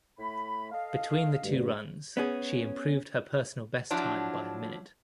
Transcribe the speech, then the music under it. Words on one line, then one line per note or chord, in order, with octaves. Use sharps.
Between the two runs, she improved her personal best time by a minute.
A2 A3 B5
A4 D#5 F5
D2 G2
B3 C#4 G#4
F3 F#3 D4 E4